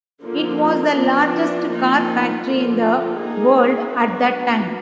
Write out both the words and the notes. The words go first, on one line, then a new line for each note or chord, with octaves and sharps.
It was the largest car factory in the world at that time.
D3 F3 A#3
F3 B3 D4
F3 A#3 D#4
D3 F3 A#3 F4
A#3 D#4 G#4
B3 D4 F#4 B4